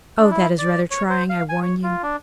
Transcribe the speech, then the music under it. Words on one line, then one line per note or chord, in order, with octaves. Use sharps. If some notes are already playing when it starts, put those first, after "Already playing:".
"Oh! that is rather trying, I warn you."
D4
E4
D5
C#5
C5
F5
G#5
C#5
F4
D4